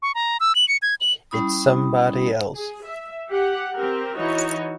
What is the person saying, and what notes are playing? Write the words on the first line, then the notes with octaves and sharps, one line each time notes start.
It's somebody else.
C#6
A#5
E6
F#7
C#7
G#6
F#7
G3 C#4 E4 B5 D#6
G#4
E5
G4 F#5
C4 G4 A#4
E3 D#4 F#4 C#5